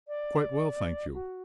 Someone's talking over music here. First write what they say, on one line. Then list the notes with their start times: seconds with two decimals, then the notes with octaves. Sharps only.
"Quite well, thank you."
0.08 D5
1.14 F#4